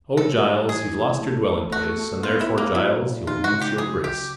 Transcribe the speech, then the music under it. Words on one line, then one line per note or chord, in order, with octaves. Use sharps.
"O Giles, you've lost your dwelling-place, And therefore, Giles, you'll lose your Grace."
G3 A4
G3
E3 G#4
E3
A3
A3
A3 F#4
A3
B3 F4
E4
B3
A#3
F#3 E4
A#2
D#4 F4
F#4
C#3
G4
F#3 G#4
C#3 G4